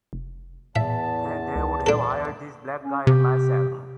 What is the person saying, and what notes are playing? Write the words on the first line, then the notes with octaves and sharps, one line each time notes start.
Then they would have hired this black guy and myself.
F1
E2 A2 E5 A5
C#2
D4 A4
C#4
C3 G4